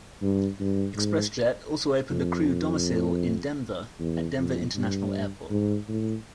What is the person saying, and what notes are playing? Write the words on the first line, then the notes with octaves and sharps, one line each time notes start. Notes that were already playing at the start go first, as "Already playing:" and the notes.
ExpressJet also opened a crew domicile in Denver, at Denver International Airport.
G2
G2
G#2
F2
E2
F2
G2
G#2
A2